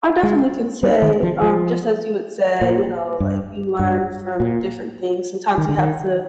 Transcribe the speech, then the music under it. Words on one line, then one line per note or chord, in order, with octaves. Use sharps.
I definitely can say, um, just as you would say, you know, like, you learn from different things. Sometimes you have to,
G#3
G3
D#3
F3
F3
A#2
G2
G2
A#2
D#3
D3
D#3